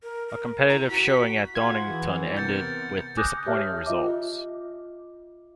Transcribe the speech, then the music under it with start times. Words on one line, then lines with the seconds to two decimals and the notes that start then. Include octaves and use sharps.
A competitive showing at Donington ended with disappointing results.
0.03 A#4
0.29 A#4
0.70 E4 A#5
0.89 F#4 B6
1.55 F4 F#4 G#4 G#6
1.89 E3
2.37 C3 B3 A#4 G6 A6 C#7
3.17 G#5 D6 D#6 F#6 G6 A#6
3.46 G4 C#5 E5 A5 F6
3.86 F4 D#5 E5 D6